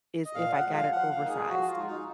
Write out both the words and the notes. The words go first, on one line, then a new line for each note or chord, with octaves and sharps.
is if I got it oversized,
D#5
A#2 F5
F#5
F3 G#3
F5
F3 F#5
F5
A#3 D#4
G#4
F3 F#4
F4
G#3 D#4
D#4